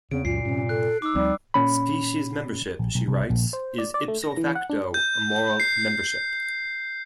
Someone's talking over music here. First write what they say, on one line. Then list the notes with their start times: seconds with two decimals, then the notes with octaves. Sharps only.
Species membership, she writes, is "ipso facto" moral membership.
0.11 E2 C#3 C4 D7
0.25 C#2 F#2 A#2 F4 C7
0.45 G2 C3 C#4
0.69 A4 F#6
1.02 D#4 D6 E6
1.15 D2 F3 G3 C4
1.54 A#2 C#4 B5
2.79 A#1
2.95 B1
3.08 C2
3.30 A#1
3.53 C5
3.78 D5
3.94 D5
4.08 A3
4.23 A#6
4.37 E3
4.55 F#5
4.69 D4
4.94 G6
5.60 C7